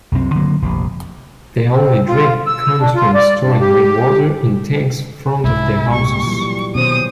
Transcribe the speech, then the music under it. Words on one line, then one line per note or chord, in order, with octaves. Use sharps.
Their only drink comes from storing rain water in tanks front of their houses.
C2 F#2 C3 C4
D3 F#3 A#3
F1 A#1 C3
C4
F4
E6
D4
F4
D5
G2
G4
C2 G#2 E4
A#2 G4 C#6
E3 F#3 G3
B2 D#3 C#4 C5 D#6